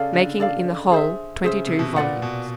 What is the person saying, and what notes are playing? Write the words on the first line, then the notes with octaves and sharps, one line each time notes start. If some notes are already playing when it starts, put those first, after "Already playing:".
Making in the whole twenty-two volumes.
Already playing: C#3 A4 D5 F5
D3
A4 D5 F5
G#4 C5 E5
C#3 G#4 C5 E5
C3
B2
A#2 B4 D5 F#5
B2